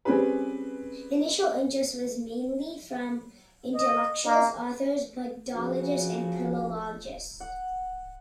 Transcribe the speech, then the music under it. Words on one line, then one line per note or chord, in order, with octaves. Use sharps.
Initial interest was mainly from intellectuals, authors, Buddhologists and Philologists.
G3 C4 C#4 G#4 B4
D#5
A#3
C#3 F3 F#4
F#5